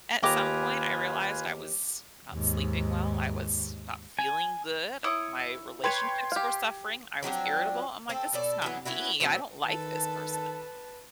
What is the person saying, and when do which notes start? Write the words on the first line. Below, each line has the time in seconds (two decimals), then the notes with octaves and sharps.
at some point I realized I was not sleeping well, I was not feeling good, My relationships were suffering. I was irritable. I'm like, "This is not me, I don't like this person."
0.23 D#2 F4 G4 B4 D#5 G#5 A#5 D6
2.32 D#2 G#2
4.19 G#5
5.04 E4 C#5 D#6
5.84 B4 C#5 G5 C6 G#6
6.32 G4 F5
7.22 F3 F#3 C4 D4
8.09 C4 A4
8.33 B2 A4 D5
8.62 E3 F#3 B3
8.85 B3 C#4 E4 F#4
9.20 A#2 F3 F#3 C4
9.66 D#3 A4 B4 A5